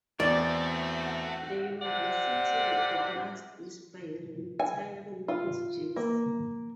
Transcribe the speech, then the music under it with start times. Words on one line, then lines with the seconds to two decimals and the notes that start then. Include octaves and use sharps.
The university recognized this by retiring his jersey.
0.20 E2 A3 C4 F#4 D5
1.82 C3 D5 F#5
4.60 G#5
5.28 F4
5.96 A#3